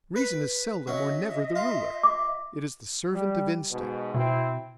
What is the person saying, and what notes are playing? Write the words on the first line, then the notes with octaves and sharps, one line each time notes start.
Reason is seldom or never the ruler: it is the servant of instinct.
B4
F#3 C#4 D#5 E5
F4
D6
G3
G#2 B2
B2 C4 E4